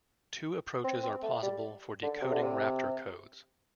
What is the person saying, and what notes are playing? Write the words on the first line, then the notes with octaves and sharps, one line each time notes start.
Two approaches are possible for decoding raptor codes.
C4
C4
A3
G3
D3
C3
D3
C3